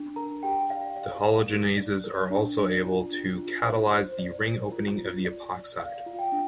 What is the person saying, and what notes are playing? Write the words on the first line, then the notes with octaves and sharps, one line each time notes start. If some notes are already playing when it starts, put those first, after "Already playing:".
Dehalogenases are also able to catalyze the ring-opening of the epoxide.
Already playing: D4
A#4 A#5
G4 G5
D5 F5
D5 F5
A#4
G4
D5
A#4
D4
D5
F4
D4
F4
C5
C5
D5
A#4
F4
F4
D5
D5
D5 F5
F4
G5
D4